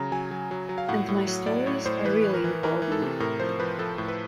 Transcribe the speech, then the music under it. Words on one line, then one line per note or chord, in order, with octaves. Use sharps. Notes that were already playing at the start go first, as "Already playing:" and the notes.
And my stories are really involving.
Already playing: C#3 F#3 A#5
F#3 G#5
F#3
F#3
F#3
F5
A2 F#5
A2
F#3
A2 D5
A2 C#5
A2 C5
E3 B4
E3
A#4
E3
E3 A#4
E3
A4
C3
A2 A#4
F3 C5
F3 B4
F3 A4
A2
B4